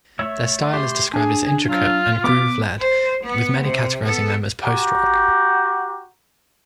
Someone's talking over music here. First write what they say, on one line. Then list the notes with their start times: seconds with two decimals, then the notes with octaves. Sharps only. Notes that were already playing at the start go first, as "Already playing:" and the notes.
Their style is described as intricate and groove-led with many categorizing them as post-rock.
0.19 A3 C#5 E5
0.74 G4 C6
1.14 D4 G#4
1.68 F#3 F4
2.24 B3 B4 D6
2.79 C5
3.24 B3
3.64 C3
4.04 B3 A4
4.62 F#4 G4 A#5